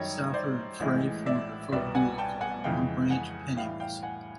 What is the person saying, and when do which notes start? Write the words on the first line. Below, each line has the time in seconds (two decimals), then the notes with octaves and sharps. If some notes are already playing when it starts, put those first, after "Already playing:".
Souther and Frey formed a folk duo called Longbranch Pennywhistle.
Already playing: F#2 D#3 G3 C#5 D#5
0.34 C5 D5
0.80 A1 A2 E3 G#3
1.26 D5 E5
1.72 C2 B2 G3 B3 D5 E5
1.95 F#5 G#5
2.18 G5 A5
2.41 F#5 G#5
2.64 F2 C#3 E3 G#3 F5 G5
3.10 F#5 G#5
3.57 A2 E3 G3 F5 G5
3.80 F5 G5
4.03 F#5 G#5